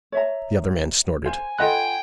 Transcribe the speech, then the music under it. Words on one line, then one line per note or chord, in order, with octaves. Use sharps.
The other man snorted.
C#5 E5 A#5
C5 F5 G#5
F4 A4 D#5 F#5 G5 B5 F#6